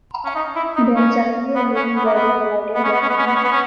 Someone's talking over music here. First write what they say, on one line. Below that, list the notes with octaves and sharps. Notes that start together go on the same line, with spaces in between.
Then suddenly a moving body collided with him.
C#4
D#4
E4
D#4
C#4
B3
C#4
B3
A#3
B3
B3
C#4
B3
C#4
B3
C#4
B3
C#4
B3
C#4